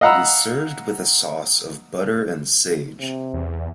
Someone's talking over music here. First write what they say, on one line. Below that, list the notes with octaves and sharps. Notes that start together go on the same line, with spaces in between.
It is served with a sauce of butter and sage.
D#5 F5 F#5 A#5 B5 E6
C3
E2